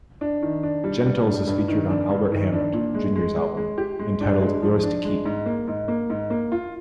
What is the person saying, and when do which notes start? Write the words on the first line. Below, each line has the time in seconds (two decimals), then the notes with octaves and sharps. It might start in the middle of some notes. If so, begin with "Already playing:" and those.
Gentles is featured on Albert Hammond, Junior's album, entitled Yours to Keep.
0.21 D4
0.42 D#3
0.63 D4
0.84 G3
1.06 G3
1.27 D4
1.47 G2
1.68 D#3
1.89 D4
2.10 G2
2.32 D#3
2.53 D4
2.73 A#2
2.94 G#3
3.16 G#3
3.36 G#3
3.57 G#3
3.78 G4
3.99 G#3
4.21 D4
4.41 G#3
4.62 F3
4.83 D4
5.05 G#3
5.25 G#2
5.46 A#3
5.68 G#2
5.88 A#3
6.10 G#2
6.30 A#3
6.52 F4